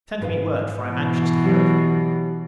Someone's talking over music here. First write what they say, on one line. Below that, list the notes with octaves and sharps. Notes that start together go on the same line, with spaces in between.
Send me word, for I am anxious to hear of you.
G#2 B4 F5
B2 E3
F#3 G4